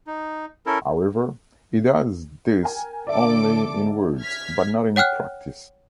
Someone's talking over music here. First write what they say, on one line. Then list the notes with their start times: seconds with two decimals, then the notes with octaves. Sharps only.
However, it does this only in words, but not in practice.
0.07 D#4
0.66 C#4 E4 A4 A#4
2.63 A#4 G5 G#5
3.07 D3 A4 D5 E5 D6
4.20 F6 G#6 B6
4.96 C#5 F#5 G5 F6 F#6